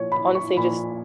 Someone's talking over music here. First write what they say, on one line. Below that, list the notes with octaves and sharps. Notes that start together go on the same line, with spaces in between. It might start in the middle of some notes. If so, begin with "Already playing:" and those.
honestly, just
Already playing: A#2 F3 C#5
B5
C#6
A#2 F3 B5